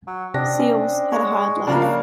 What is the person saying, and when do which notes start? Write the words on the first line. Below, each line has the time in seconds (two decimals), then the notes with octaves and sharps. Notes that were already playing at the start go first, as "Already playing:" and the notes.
Seals had a hard life.
0.08 F#3
0.34 C3 C4 D4 D#5 A#6
0.60 C#4
1.12 G#3 C#5 F#5 G#5
1.67 C#3 F3 G3 D4 A#4
1.82 A#3 F5